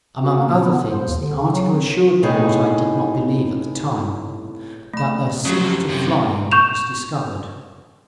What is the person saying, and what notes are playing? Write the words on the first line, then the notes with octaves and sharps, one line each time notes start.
Among other things, the article assured me what I did not believe at the time, that the "Secret of Flying," was discovered.
F#4
A#3
A#2
B3
A2
C5
D#2
D3
C#3
F#3
C4
A2 C3 B3 D#4 G#4
A3 B5
F2 F#3 C#4 G4
F#2 C3
C#6 G6 E7 F7